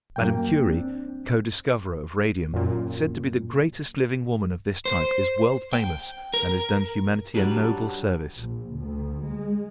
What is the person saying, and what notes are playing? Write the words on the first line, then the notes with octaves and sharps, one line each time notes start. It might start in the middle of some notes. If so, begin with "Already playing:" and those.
Madame Curie, co-discoverer of radium, said to be the greatest living woman of this type, is world-famous and has done humanity a noble service.
F#2 A#3 G5
C4 D4
F#2 A#2
C5
G5
A#4
F#3 G3 D4 B4
A#1
D2
G#3